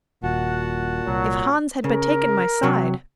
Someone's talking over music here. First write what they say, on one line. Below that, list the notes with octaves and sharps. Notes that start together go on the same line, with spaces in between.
If Hans had but taken my side!
D#1 A#2 F#4 F#5 A5
C2 F#3
C#3 A#4
C3 F#3